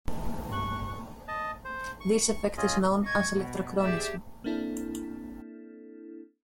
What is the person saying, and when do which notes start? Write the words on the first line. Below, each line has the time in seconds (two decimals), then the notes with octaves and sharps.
This effect is known as electrochromism.
0.16 E3
0.51 G2 C#6 F#6
1.28 D#5 A5
1.65 C5
2.01 C#6
2.57 C#4 F4 G#4 D#5
3.02 D#5 C#6 G#6
3.35 B2
3.79 G4 G#4 D5 E5
4.44 A#3 C4 D4 E4 A4